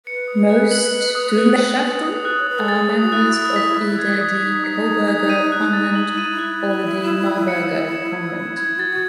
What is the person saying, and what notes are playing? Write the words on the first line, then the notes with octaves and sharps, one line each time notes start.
Most Turnerschaften are members of either the Coburger Convent or the Marburger Convent.
B4 C#7
D#6
F#6
F#7
C#7
D#6
F#6
F#7
A6
D#6
F#6
C#5
B4 D#6
A4
G#4 A6
D#6
F#4
E4 F#6
D#6
B6
D#6
G#6
D#6
D#4 B6
D#6
G#6
D#6
D#7
F#6
A6
F#7
E4 D#7
D#4
E4
F#6
A6
F#7
E7
G#6
C#7
G#6
E7
G#6
C#7
G#6
F#4 A6